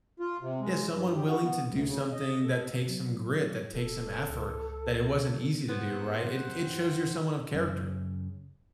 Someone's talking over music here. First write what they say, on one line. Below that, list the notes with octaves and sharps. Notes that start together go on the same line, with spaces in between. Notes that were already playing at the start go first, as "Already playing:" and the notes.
Yeah, someone willing to do something that takes some grit, that takes some effort, that it wasn't easy to do, right? It g it shows you're someone of character.
F4
C3
G#3
G2
G4
F#4
B3
D2
C#3
D#5
A4
F#3
D#1 A4
C#2
B3 C5 F#5 F#6
F#2 G4
F#2 C#3